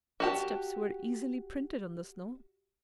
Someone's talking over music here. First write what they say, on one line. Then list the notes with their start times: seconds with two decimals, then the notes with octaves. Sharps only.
Footsteps were easily printed on the snow!
0.20 F#4 G4 A5